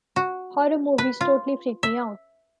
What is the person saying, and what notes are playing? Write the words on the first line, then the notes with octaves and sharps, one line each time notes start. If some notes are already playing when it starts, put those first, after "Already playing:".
Horror movies totally freak me out.
F#4
B4
F4
E5